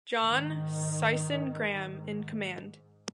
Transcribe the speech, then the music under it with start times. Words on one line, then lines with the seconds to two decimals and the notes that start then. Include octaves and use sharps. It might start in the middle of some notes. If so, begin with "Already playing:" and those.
John Sisson Graham in command.
0.22 G#2 D#3
1.63 G#2